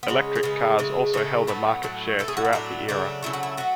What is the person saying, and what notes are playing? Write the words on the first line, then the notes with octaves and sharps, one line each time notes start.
Electric cars also held a market share throughout the era.
B3
C#3 G#3 C#4
C#4
C#3 G#3 B3
C#3 G#3 A3
C#3 G#3 A3
A2 F#3 A3 B3
A2 F#3 A3
A2 F#3 A3 A4
G#4
F#4
E4
A2 F#3 A3 D4
C#3 F#3 A3 D4
C#3 F#3 A3 E4
F#4
E4
F#3 A3 F#4